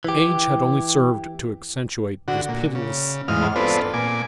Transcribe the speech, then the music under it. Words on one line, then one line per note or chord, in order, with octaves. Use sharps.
Age had only served to accentuate this pitiless modesty.
E3 G4
D3 F#4
A#2
C#3
E2 G#2 D#5 F5 F6
B3 C4 D4 F4 A4 B4
A#2 G#5 D6